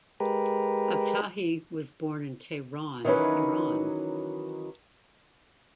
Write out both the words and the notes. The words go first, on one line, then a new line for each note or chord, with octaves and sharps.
Abtahi was born in Tehran, Iran.
G#3 G4 A#4 B4
D#3 E3 F#3 C#4 D#4 B4